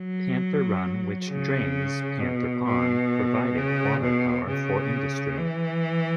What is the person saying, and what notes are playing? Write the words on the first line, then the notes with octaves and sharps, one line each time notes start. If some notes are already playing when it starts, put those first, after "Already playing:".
Panther Run, which drains Panther Pond, provided water power for industry.
Already playing: F#3
C#3
B2
B2
C#3
B2
C#3
E3